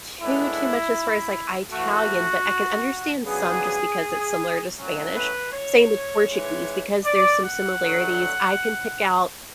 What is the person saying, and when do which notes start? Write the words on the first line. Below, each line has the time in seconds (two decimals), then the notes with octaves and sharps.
too, too much as far as like Italian, but I can understand some, just because it's similar to Spanish. Same with Portuguese, because there's some similarities. I can pick out
0.20 A2 G#3 B3 D4 E4
1.72 A2 E3 A3 F#4
3.24 C#3 F#3 B3 D4 G#4
4.76 A2 F#3 C#4
5.15 B4
5.52 C#5
6.28 G#2 E3 G#3
7.05 D5
7.42 F#5
7.80 D3 F#3 A3